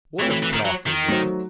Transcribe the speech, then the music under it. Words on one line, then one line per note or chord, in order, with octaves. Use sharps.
"What o'clock is it?"
E3 A3 C4 F#4 C#5
E3
E3
D#3
F#3
D#3
F#3 A3 D#4 F#4 C5